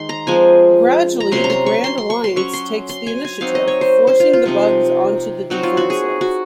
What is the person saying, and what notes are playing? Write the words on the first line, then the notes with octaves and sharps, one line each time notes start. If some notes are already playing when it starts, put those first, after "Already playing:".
Gradually, the Grand Alliance takes the initiative, forcing the Bugs onto the defensive.
Already playing: D#3 G#3 D#4 C6
A#5
F3 G#3 C4 G#5
A#5
C3 F#3 C#4 C6
A#5
C6
C#6
C6
C6
C#6
C6
F#3 C#4 C#6
C6
C6
G#5
G#5
F#3 C4 D#4 F5
D#5
C#5
C5
C5
F4
F4
C3 F3 C4 D#4
F#3 C4 D#4 F#4
F4
F#4
G#4
F#4